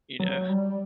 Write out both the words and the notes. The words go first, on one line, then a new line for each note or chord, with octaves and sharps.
you know?
F#3
G3